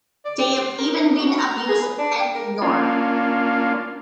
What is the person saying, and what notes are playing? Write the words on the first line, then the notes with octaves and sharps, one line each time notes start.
They've even been abused and ignored.
D5
G4
C5
A#4
D#4
F#4
A#5
G#4
B4
D4
G5
A#4
A#3 C#4 D4 F4